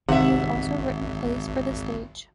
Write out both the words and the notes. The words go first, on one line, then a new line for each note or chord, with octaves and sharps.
He has also written plays for the stage.
G#1 C3 D#3 E5 F#5